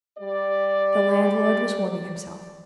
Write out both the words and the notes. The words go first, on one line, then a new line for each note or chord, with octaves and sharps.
The landlord was warming himself.
G3 D5